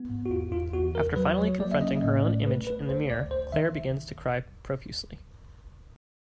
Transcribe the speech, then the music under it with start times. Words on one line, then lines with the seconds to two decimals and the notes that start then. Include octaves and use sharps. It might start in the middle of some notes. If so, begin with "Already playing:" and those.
After finally confronting her own image in the mirror Clare begins to cry profusely.
Already playing: B3
0.10 G#2
0.26 F#4
0.30 E2 F4
0.52 E2 F4
0.73 E2 F#4
0.95 E2 A#4
1.16 F#3 B4
1.38 F#3 C#5
1.59 A#3 D5
1.71 E5
1.81 C#4 D#5
2.03 A2 D#5
2.24 A3 D5
2.45 A3 B4
2.67 A3 B4
2.89 D2 C5
3.10 D2 D5
3.31 D2 C5
3.52 D#3 E5